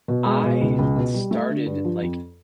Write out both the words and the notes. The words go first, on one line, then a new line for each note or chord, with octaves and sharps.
I started, like,
B2
G#3
B2
C#2
C#2
B2
G3
A3
D3
G2
F3
F2